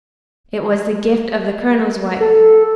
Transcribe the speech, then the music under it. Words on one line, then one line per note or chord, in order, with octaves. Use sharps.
It was the gift of the colonel's wife.
A4